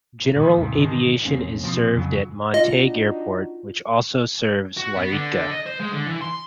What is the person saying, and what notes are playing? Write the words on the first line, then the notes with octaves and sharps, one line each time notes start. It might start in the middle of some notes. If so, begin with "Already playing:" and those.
General aviation is served at Montague Airport, which also serves Yreka.
A#2 D#3 G3
D#2 G#2 C3
G#2 D3 D#3 G#3
E1 A#3 C4 C#4
B2 F3 C4
F2 C#3 F#3
D4 D#4 F4 F#4 D#5
F#4
B3
D3
D#5
C5
G#3
D3
E3
C6